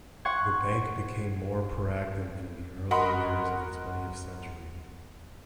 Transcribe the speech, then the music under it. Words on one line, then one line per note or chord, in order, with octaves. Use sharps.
The Bank became more proactive in the early years of the twentieth century.
F#5 C6 C#6 G#6
F#4 A#4 D#5 F#5 B5 C6